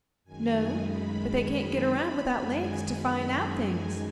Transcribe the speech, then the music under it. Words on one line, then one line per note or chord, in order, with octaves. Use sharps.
"No; but they can't get around, without legs, to find out things."
F#2 D#3 G#3 G#5
B5
B5
B5
F#2 D#3 G#3 G#5
B5
G#5